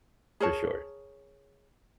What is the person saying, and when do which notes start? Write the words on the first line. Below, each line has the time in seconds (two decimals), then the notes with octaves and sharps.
For sure.
0.40 G#4 A#4 C#5 A5